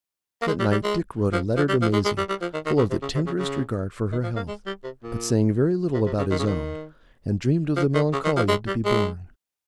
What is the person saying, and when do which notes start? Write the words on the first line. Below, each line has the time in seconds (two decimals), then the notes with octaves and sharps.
That night Dick wrote a letter to Maisie full of the tenderest regard for her health, but saying very little about his own, and dreamed of the Melancolia to be born.
0.42 A#3
0.47 G#3
0.60 G3
0.72 G3
0.84 G#3
1.33 F3
1.56 F3
1.69 G3
1.81 F3
1.93 G#3
2.05 G#3
2.18 G3
2.29 G3
2.41 F3
2.54 D#3
2.66 D#3
2.78 C#3
2.90 C3
3.02 C#3
3.15 C3
3.26 C#3
3.39 C#3
4.12 D#3
4.23 F3
4.36 A#3
4.48 G#3
4.66 G3
4.84 C3
5.03 A#2
5.94 C3
6.06 C3
6.18 C#3
6.30 D#3
6.39 C#3
6.47 D#3
7.76 F3
7.94 D#3
8.13 C#3
8.25 D#3
8.37 F3
8.49 G#3
8.67 G3
8.85 G#3